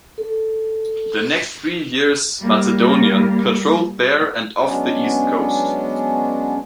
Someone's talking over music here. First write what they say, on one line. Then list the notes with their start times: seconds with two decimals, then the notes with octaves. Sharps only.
The next three years "Macedonian" patrolled there and off the East Coast.
0.18 A4
2.40 G3 A#3
4.63 F#3 G#3 B3 C#4 D4